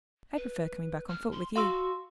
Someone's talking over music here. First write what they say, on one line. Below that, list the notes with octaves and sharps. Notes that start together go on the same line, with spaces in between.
"I prefer coming back on foot with you."
B4
F6
C6
F#4 F5 C6 E6